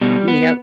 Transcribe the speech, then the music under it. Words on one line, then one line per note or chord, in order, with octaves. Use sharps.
M yep.
B2 G3
B3